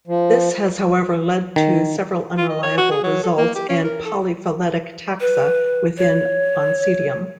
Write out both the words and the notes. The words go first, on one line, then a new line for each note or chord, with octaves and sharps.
This has however led to several unreliable results and polyphyletic taxa within "Oncidium".
F3
D#3
F4
D#5
C#5
F#4
G#4
F#3
A4
A#3
G4
C#4
A#4
A4
B4
C#5